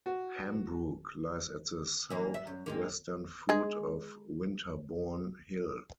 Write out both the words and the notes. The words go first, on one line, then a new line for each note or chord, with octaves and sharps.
Hambrook lies at the south-western foot of Winterbourne Hill.
F#4
E3 A#3
E5
F#2
G2 G#3 A#3
G#3 G#4